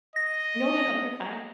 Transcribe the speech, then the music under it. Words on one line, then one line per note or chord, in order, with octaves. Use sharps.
No, no, no, you're fine.
D#5 A#6